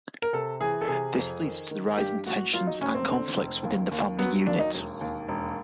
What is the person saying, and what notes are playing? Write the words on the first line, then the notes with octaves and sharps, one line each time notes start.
This leads to a rise in tensions and conflicts within the family unit.
A#4
C3 A4
E3 G#4
A4
C3 G#4
F2
D#3
D#3
G2 G4
A1 F#4
F#3 F4
D#4
F1 C#4
C4
D3 C4
F1
D#2
D#2
F#3 B3
D#2 D4
D#4
E1
D#2
E1